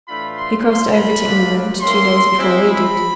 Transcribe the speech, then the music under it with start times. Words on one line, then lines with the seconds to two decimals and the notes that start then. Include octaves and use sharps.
He crossed over to England two days before we did.
0.08 A2 E3 A3 D4 F4 B5
0.37 C6
0.66 F#2 D3 F3 C6
0.94 B5
1.23 G#2 F3 A3 D4 F4
1.81 B2 F#3 A#3 C#4 E4 C6
2.38 B2 G#3 C4 E4
2.66 B5